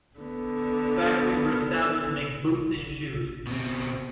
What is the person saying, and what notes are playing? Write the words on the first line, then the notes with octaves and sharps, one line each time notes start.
Factories were established to make boots and shoes.
D3 B3
B2 C4